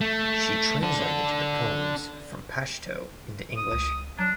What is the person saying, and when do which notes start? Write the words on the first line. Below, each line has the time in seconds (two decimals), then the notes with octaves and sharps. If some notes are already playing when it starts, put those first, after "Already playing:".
She translated the poems from Pashto into English.
0.01 A3
0.83 D4 A4
3.57 D#6
3.71 C#2
4.19 F#3 D4